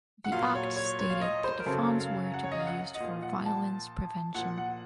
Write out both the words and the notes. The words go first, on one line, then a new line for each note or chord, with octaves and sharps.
The act stated that the funds were to be used for "violence prevention".
F#5
A#2 F#3 F5
C#5
C#5
C#5
F5
D#5
C5
A#4
F#2 C#3 F#3 A4
F5
F#5
C#5
D#5
F5
F#5
D#5
A#2 F3 F5
F#5
A5
A#2 F3 F#5
F#5